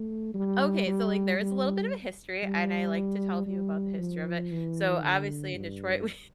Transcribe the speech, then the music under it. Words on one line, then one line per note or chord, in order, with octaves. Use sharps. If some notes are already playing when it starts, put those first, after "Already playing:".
Okay, so, like, there is a little bit of a history, and I like to tell people about the history of it. So, obviously, in Detroit, we
Already playing: A3
G3
G3
G3
G3
G3
F3
E3
D3
G2